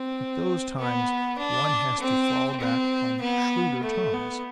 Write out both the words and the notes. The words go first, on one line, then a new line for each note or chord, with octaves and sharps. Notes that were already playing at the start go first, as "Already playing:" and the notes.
At those times one has to fall back on shrewder tongues.
Already playing: C4
B3
D4
C4
C4
B3
A3
B3